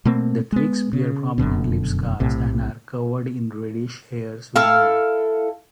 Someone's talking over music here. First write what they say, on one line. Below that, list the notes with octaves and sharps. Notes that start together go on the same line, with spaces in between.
The twigs bear prominent leaf scars and are covered in reddish hairs when young.
B2 A3 A#3 C4
G#3 B3
C#3
F1 F#2 B2 D3
B1 A2 C3
E4 A4 F5